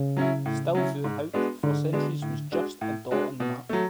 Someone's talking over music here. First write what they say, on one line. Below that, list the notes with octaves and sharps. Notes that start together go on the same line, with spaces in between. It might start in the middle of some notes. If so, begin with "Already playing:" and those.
Still Voorhout, for centuries, was just a dot on the map.
Already playing: C#3
F#3 C#4 E4
A2
F#3 C#4 E4
G#2
G#3 B3 D4 F#4
G#2 D3
G#3 B3 D4 F#4
A2
G#3 D4 F#4
A2
G#3 D4 F#4
B2
F#3 A3